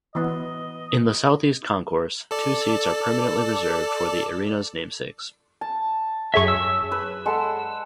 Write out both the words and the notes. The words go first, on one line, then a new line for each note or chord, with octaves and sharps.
In the southeast concourse, two seats are permanently reserved for the arena's namesakes.
E3 B3 D#5
A4 D5
A5
F#2 G#4 C#5 E5 C#6
E6
B4
G#3 A4 F#5